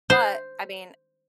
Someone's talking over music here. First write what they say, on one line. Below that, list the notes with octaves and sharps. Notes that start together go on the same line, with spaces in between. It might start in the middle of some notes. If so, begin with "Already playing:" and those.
But, I mean, I
C5